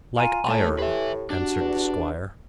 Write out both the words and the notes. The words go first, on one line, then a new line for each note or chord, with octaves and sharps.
"Like iron," answered the squire.
F4 G#5 A#5 D#7
A2 A3 A5
G4 B4 E5
D4 F#4
E2